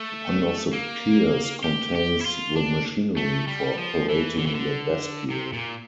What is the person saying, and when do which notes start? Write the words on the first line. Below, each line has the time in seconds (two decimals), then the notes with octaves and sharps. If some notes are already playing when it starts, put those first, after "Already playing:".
One of the piers contains the machinery for operating the bascule.
Already playing: A3
0.73 A#3
1.64 G4
1.95 G4
2.21 E4
2.26 F4
2.56 D4
3.17 A3
3.47 G3
3.78 F3
4.09 E3
4.38 D3
4.47 E3
4.55 D3
5.30 C3
5.53 A#2